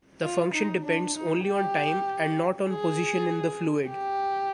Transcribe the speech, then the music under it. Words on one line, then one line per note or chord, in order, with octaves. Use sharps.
The function depends only on time and not on position in the fluid.
F4
D#4
D4
D#4
G4
G#4
G4